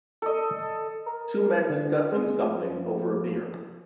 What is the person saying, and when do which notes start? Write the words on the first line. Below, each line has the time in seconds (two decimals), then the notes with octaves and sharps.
Two men discussing something over a beer.
0.22 A4 D#5
1.06 A#4
1.69 D3
2.12 G#3
2.43 F3